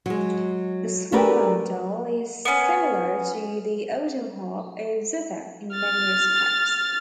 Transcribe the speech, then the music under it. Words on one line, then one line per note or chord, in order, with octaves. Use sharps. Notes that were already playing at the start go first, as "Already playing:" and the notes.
The swarmandal is similar to the autoharp or zither in many respects.
F#3 G#3
A3 D4 G4 A#4 B4
B3 C#4
F6 A6